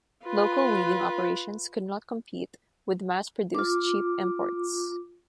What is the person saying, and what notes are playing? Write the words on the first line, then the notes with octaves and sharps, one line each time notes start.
Local weaving operations could not compete with mass-produced cheap imports.
F4 B4
F4 D6